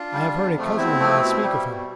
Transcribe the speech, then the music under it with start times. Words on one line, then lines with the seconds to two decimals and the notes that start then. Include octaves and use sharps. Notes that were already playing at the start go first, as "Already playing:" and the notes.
"I have heard a cousin of mine speak of him."
Already playing: D4 F4
0.12 G3
0.34 E2
0.56 C3 F3 A3
0.77 E2 C4 E4
0.99 C3 F3 A3
1.20 B2
1.42 G3
1.64 B2